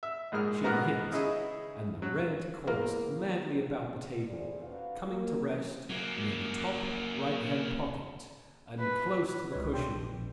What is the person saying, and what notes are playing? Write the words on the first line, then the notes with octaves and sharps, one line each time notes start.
She hit, and the red coursed madly about the table, coming to rest near the top right-hand pocket and close to the cushion.
E5
A#1 G#2 G#3 A#4 F6
A#1 G#2 B3 F#4 A#4 A#5
C#3 D#4 E4 G#4 D#5
F#3
E2 A#3 A#4
E4 G#4 A4 C5 D5
C#4 D#4 F#4 B4 D5 F5
A#3
E3 F#3 A#3 C#4
F#3 A#3
B4
C#2 D#4 B4 C#5
C3 D4 G5 C6
A#1
A#1